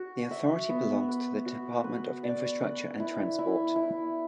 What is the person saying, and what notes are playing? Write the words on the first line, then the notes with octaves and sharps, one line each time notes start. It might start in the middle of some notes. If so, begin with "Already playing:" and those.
The authority belongs to the Department of Infrastructure and Transport.
Already playing: F#4
E5
B3
B4
F#4
B4
D5
B4
E4
E4
E4